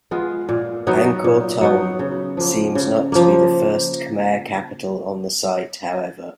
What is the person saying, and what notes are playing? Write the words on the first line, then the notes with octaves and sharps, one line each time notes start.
Angkor Thom seems not to be the first Khmer capital on the site, however.
G#3 B3 F4
A#2
F#3 B3 D#4
A#2
F#3 B3 D#4
C#3
F3 A#3
C#3
F3 A#3